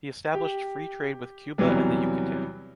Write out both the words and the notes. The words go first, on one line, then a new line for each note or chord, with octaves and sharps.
He established free trade with Cuba and the Yucatán.
G4
E2 C3 E3 F#3 G3